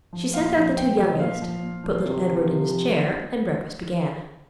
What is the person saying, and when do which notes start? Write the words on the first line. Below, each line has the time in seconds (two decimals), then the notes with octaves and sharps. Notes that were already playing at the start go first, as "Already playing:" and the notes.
She sent out the two youngest, put little Edward in his chair, and breakfast began.
0.13 F3
0.34 A#2 F5
0.56 F3
0.77 A#2 G5
0.99 F3
1.08 D#5
1.20 A#2 F5
1.42 F3
1.63 A#2
1.84 F3
2.05 C3
2.27 F3
2.48 C3
2.69 F3